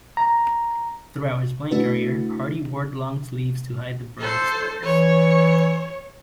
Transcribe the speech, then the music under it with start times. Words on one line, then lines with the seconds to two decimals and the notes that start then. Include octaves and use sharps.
Throughout his playing career, Hardie wore long sleeves to hide the burn scars.
0.17 A#5
1.71 A3 D4 E4 F#4 B4
4.19 A4 C5
4.83 E3 C#5